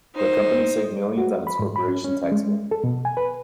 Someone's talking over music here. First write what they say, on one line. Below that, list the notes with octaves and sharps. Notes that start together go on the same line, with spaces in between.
The company saved millions on its corporation tax bill.
D#4 C5
F#4
B5
G#2
B5
C#4
C#4
G#3
A4
B2
G#5
B4